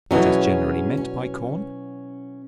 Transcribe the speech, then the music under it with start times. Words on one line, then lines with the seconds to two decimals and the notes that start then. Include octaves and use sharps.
What is generally meant by Corn?
0.11 B2 E3 F#3 C#4 G#4
0.97 C#4